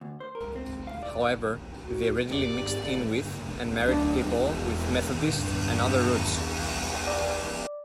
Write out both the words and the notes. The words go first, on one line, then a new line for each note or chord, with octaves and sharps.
However, they readily mixed in with and married people with Methodist and other roots.
D2
C5
A#4
C4
F5
D5
F#4
G4 D5
D4
G2
D5